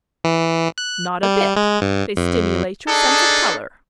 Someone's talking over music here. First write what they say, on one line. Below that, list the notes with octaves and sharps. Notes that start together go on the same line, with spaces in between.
"Not a bit: they stimulate your sense of colour."
E3
F#6
G3
G#3
G2
F2
D4 D#4 G#4 A4